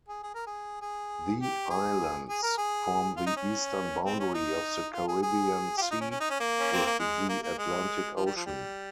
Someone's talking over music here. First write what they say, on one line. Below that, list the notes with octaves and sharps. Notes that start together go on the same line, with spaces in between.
The islands form the eastern boundary of the Caribbean Sea with the Atlantic Ocean.
G#4
G#4
A#4
G#4
G#4
G4
G#4
G#4
A#4
G#4
F4
D#4
C#4
C4
C#4
D#4
F4
G#4
G#4
G4
F4
D#4
C#4
C#4
D#4
C#4
A#3
C#4
C4
A#3
G#3
A#3
A#3
G#3
F3
G3
F3
G3